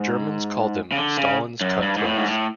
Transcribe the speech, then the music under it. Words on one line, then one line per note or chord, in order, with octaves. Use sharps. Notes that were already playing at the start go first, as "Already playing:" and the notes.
Germans called them "Stalin's cutthroats".
Already playing: G#2
C#3
D3
C#3
F#2
G2
G#2
A2
G#2
A2